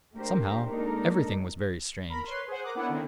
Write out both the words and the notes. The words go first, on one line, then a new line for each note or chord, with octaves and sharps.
Somehow--everything was very strange.
A3 D4 G4 A#4 C5
G#3 A#3 D4 D#4 A4 A#4
A#4 B5
B4 C#5 C6
G#4 C5 F#5
A#4 D6 D#6 F#6
B3 D4 E4 C#5 F#5
D3 D#3 C4 E4